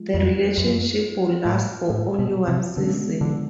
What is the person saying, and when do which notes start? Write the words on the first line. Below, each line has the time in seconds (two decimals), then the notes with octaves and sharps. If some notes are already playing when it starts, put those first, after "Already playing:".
The relationship would last for only one season.
Already playing: F3 G#3
0.14 F2
0.58 F#2
1.45 A2
1.90 A2
2.19 B2
2.48 C3
2.76 B2 D3 G#3 C#4
3.21 D3